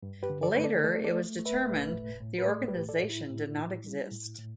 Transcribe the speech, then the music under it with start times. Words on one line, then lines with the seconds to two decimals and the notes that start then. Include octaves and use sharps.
Later, it was determined the organization did not exist.
0.03 G2
0.23 G4 B4
0.30 D3
0.43 A4 D5
0.55 A3 B4
0.64 A4 D5
0.84 A3 A4 D5
1.04 A4 D5
1.12 A3
1.39 A3
1.45 B4 E5
1.66 A3
1.93 A2
2.20 A2
2.38 B4
2.47 A3 A4 D5
2.68 G4 B4
2.75 A2
2.89 A4 D5
3.03 A2
3.09 E4
3.30 A2
3.57 A2
3.84 G3
4.12 A2
4.38 A2